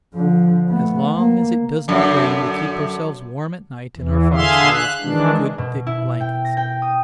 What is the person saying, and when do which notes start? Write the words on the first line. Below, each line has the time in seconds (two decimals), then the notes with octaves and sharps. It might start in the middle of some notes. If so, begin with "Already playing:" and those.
As long as it does not rain we keep ourselves warm at night in our fox-holes with good thick blankets.
0.14 D3 F3
0.69 A3 B3
1.16 A#3
1.88 F#2 D3
3.97 E2 E3
4.33 D3 G#4 E5 F5 C6
4.73 F#6
5.01 D#3 E3 G#3 D4
5.58 B2
5.87 E4
6.21 G5
6.45 A#6
6.57 G5
6.82 D#6